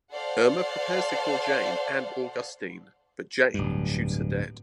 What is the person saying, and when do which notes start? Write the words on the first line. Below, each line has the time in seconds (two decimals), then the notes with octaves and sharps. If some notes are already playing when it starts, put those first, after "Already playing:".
Irma prepares to kill Jane and Augustine, but Jane shoots her dead.
0.11 A4 C5 D5 F5 F#5
3.54 D1 G2